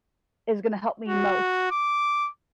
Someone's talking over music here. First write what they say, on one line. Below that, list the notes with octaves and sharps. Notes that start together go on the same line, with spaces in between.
is gonna help me most
F#4
D6